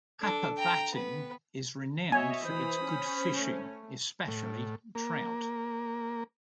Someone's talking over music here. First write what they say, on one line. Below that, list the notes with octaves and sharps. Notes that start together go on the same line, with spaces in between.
Apavatn is renowned for its good fishing, especially trout.
D4 A4
G5 A#5
B3 B4
B3 F#4 C#5 D#5 E5 G#5
E3 C5 B5 D#6
C#4
A3
A2
A#3